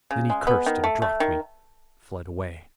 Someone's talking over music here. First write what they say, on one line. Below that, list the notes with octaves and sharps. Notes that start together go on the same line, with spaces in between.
Then he cursed and dropped me; fled away.
C#3
G#3
B3
D#3
A3
A3
D#3